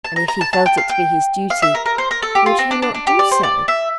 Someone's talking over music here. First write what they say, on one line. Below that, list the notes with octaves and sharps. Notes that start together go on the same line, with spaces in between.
And if he felt it to be his duty would he not do so?
A5
A#5
A#5
A5
A5
G5
F5
G5
F5
E5
A#4
A#4
C5
A#4
A4
G4
F4
C4
D4
D4
D4
G4
D5
C5
D5
E5